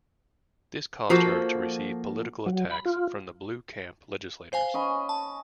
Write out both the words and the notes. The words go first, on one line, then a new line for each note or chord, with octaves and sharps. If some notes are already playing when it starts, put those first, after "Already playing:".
This caused her to receive political attacks from the blue-camp legislators.
F3 A#3 F#4 A4
F#3
B5
F4
C5 F5 G#5
C#4 D#5 B5
A5